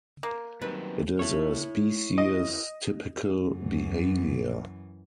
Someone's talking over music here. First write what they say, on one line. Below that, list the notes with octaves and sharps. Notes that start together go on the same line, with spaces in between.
It is a species-typical behavior.
A#3
F#2 A#2 D#3 G3 C4 B4
E4 C#5
D#5
F#2 E3